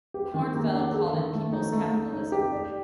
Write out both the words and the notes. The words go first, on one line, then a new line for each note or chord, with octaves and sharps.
Cornfeld called it people's capitalism.
G4
D#3
A#3
D4
A4
D#3
A3
D#4
A3
A3
D#4
G4
D5